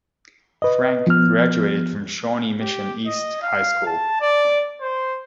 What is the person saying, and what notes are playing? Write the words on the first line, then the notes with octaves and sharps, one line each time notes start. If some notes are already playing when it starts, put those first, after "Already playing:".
Frank graduated from Shawnee Mission East High School.
B4 D#5
F3 B3 F6
G4
D#5
F5
A5
D5
C5